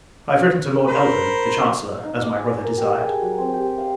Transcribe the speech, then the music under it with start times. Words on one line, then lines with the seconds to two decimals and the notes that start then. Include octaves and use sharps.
I have written to Lord Eldon, the Chancellor, as my brother desired.
0.87 A#4 C5 B5
2.03 D#4
2.22 D6
2.36 G#5
2.64 A#4
2.78 G4
3.01 G#4
3.21 F#3
3.38 C4
3.54 G4
3.78 F5